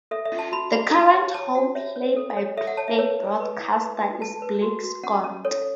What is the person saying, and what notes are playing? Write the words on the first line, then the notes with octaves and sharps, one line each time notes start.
The current home play-by-play broadcaster is Blake Scott.
A4 E5
E5
C#4
A5
F#4 B5
F#4 B5
F#4 A5
C#5
C#5 A5
F#4 F#5
C#5 E5
C#5
A4
C#5
A4 E5
F#5
C#5 A5
E5
B4 C#5
E4
B4
E4
B4
B4
B4 A5
B4
F#4
F#4
C#4 F#5
C#4
A4 C#5